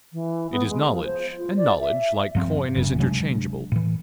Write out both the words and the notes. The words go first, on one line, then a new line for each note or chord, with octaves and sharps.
It is knowledge, and knowledge, like coin, is interchangeable.
E3
B3
G#3
F3
C5
F4
D5
E5
G2 F3 C4
G1 F#2 C#3
C3 F#3 G#3 D4
A2 E3